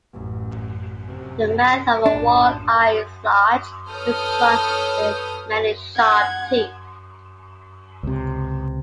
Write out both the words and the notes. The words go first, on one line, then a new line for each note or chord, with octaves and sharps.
The mouth of a walleye is large and is armed with many sharp teeth.
A1 F#2
F#2 C3
A#1 A2 D4
A4 B4 C#5 D#6 F6 G6
F#5 G#6
C#2 C3